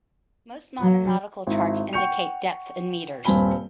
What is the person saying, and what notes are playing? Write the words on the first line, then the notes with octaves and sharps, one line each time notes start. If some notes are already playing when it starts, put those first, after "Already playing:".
Most modern nautical charts indicate depth in metres.
F#3
G#1 E4
F#5 G5 C#6 G6 C#7 F7
D#1 G2 C4 G#5 B5 G7